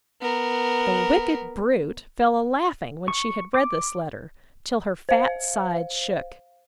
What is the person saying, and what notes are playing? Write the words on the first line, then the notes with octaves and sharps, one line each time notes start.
The wicked brute fell a laughing, when she had read this letter, till her fat sides shook.
B3 A#4
C#6
D6
C5 F5